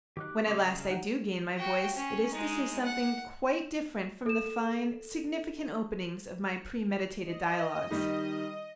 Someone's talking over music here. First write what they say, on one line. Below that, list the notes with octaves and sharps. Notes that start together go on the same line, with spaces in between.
When at last I do gain my voice it is to say something quite different from the fine, significant openings of my premeditated dialogues.
D#3 F#3 D#4 G4 D6 F#6
C#3 C4 G#4 D6
A#5
D#4 F#5 G5
F#4 G5
C#4
G#3 D#4
F#5
A4 E7
D#5
D#3 G3 D#4